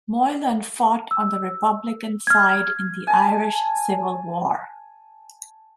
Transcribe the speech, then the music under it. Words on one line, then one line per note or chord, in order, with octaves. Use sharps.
Moylan fought on the Republican side in the Irish Civil War.
E6
F6 G#6
G#5 A5